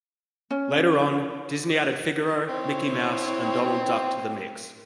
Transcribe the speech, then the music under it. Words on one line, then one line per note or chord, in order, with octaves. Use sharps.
Later on, Disney added Figaro, Mickey Mouse, and Donald Duck to the mix.
C#4
C4 E4 C#5